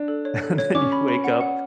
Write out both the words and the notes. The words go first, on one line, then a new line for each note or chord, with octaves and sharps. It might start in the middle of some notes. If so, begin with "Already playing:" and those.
and then you wake up,
Already playing: D4
A4
C#5
A4
C#5
C#4 D6
B5
B5
F#5
F#5